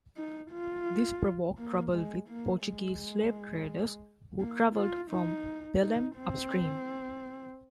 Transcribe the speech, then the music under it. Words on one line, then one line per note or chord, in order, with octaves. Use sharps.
This provoked trouble with Portuguese slave traders, who travelled from Belem upstream.
D#4
F4
A#3
G#3
A#3
G#3
A#3
F4
D#4
D#4
C4